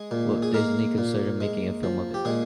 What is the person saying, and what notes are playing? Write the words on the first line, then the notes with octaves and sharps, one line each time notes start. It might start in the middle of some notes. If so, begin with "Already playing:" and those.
Walt Disney considered making a film of it.
Already playing: G#3 G#4
A#2
G#4
G#3 A#3 A#4
A#2
G#3
F3
G4
A#2 G#3 G#4